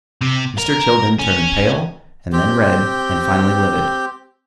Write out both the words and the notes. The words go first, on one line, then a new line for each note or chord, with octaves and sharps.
Mr. Tilden turned pale, and then red, and finally livid.
C3
A#4
C#4
C4 G4 G5